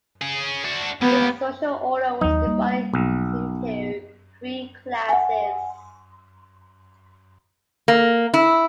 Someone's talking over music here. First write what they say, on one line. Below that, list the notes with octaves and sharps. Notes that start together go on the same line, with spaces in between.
This social order was divided into three classes.
C#4 G#4
D4 F#4
A#3 B3 G4
D#2 F#3 D#4
G3 A#3
B1
F#5 G#5
A#3
E4